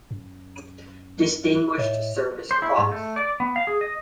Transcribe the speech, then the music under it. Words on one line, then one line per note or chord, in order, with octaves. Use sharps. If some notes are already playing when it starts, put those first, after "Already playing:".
Distinguished Service Cross.
F#2
A2 C#5 D#5 E5
C5
E4
G#2
A3
D5
B3
F5
G#4
D#5